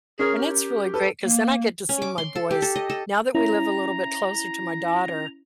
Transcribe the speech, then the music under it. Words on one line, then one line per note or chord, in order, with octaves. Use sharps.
and it's really great 'cause then I get to see my boys now that we live a little bit closer to my daughter.
C#4 G#4 A#4 C#5
G4
A4 B4
A#3
C#4
D6
C6
A4
G4
A4
D#5
A4
C#4 E4 A#5